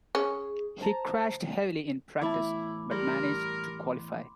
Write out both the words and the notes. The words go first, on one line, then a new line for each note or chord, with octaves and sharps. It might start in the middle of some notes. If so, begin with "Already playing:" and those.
He crashed heavily in practice, but managed to qualify.
C#4 G#4
C5 A5 A#5
E2 A2 E4 A5 B5 D6
G3 A#4 C6